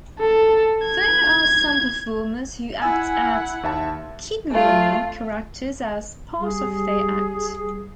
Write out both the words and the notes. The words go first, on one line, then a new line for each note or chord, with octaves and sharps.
There are some performers who act at "kigurumi" characters as part of their act.
A4
G#6
E4 F#5 G#5 E6
D#2 E5 A5
A3 F4
G3 G#4